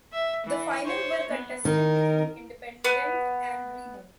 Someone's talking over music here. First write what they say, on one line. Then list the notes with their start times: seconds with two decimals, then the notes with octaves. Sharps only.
The final were contested between Independente and Remo.
0.13 E5
0.46 E3
0.85 C5 C#5
1.29 B3
1.65 D#3 A#4
2.85 B3